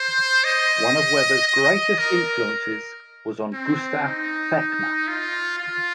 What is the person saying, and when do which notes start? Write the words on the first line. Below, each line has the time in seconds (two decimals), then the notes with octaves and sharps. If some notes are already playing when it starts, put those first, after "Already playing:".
One of Weber's greatest influences was on Gustav Fechner.
Already playing: C5
0.44 D#5
1.47 D#5
1.99 A#4
3.53 C4
4.05 D#4
5.08 F4
5.58 F4